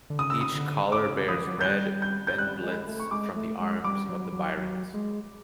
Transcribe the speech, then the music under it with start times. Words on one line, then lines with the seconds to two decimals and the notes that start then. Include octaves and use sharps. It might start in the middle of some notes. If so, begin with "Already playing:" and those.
Each collar bears red bendlets from the arms of the Byrons.
0.10 D3
0.19 C#3 D#6
0.30 E6
0.41 D#6
0.55 D3
0.92 D6
1.10 C#3
1.28 F3 D#6
1.47 F#3
1.58 F#3 G6
1.65 G3 F#6
2.02 G6
2.27 G6
2.38 G3 F#6
2.63 G#3
2.87 A3
3.00 C#6
3.11 G#3 D6
3.36 A3
3.60 G#3
3.84 G3 D6
4.09 F#3
4.33 F#3
4.57 F#3
4.94 G#3